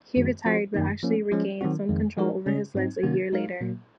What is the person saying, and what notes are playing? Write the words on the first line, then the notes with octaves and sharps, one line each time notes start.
He retired, but actually regained some control over his legs a year later.
F#2 D#3 G#3 C4 F#4
F3 C4 F#4 C5
F#2 D#3 A#3 D#4
F3 A#3 C#4
F3 G#3 C#4
D#3 F#3 C4 F#4
F2 D#3 G#3
F3 G#3 D#4 F#4 A#4
C#3 G#3 C#4 G#4
G#2 F#3 C4 D#4
C3 D#3 A#3 C#4 F#4
G#3 D#4 A#4 F5
A#2 F#3 A#3